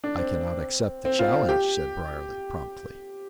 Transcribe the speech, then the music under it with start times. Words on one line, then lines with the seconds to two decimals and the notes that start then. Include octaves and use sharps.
"I cannot accept the challenge," said Briarly, promptly.
0.04 D4
0.18 C4
1.05 C4
1.19 F4
1.49 G4